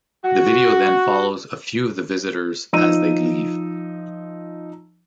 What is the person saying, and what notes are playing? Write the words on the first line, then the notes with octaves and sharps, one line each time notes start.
The video then follows a few of the visitors as they leave.
F#4
F3 D#4 E6 D#7